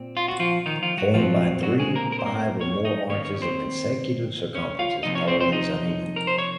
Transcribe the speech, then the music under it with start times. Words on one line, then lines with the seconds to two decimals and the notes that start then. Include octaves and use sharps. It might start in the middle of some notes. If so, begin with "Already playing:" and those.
Formed by three, five or more arches of consecutive circumferences, always uneven.
Already playing: A#2 C4
0.17 F4
0.28 F#4
0.40 F3 F4
0.66 D#3 D#4
0.82 F3 F4
0.98 F#3 F#4
1.14 A#2 F3 F#3 C4 F4
1.63 F#3 F#4
1.79 G#3 G#4
1.95 A#3 A#4
2.12 A#4
2.19 C5
2.26 A#3 A#4
2.60 C#4 C#5
2.85 D#4 D#5
3.09 D#3 A#3 C#4 C#5
3.25 C#4 C#5
3.42 C4 C5
4.55 C#4 C#5
4.79 F4 F5
5.03 C3 F3 A#3 D#4 D#5
5.15 C#4 C#5
5.28 C4 C5
5.40 C4 C5
5.52 D#4 D#5
6.16 A#4
6.27 C5
6.38 C#5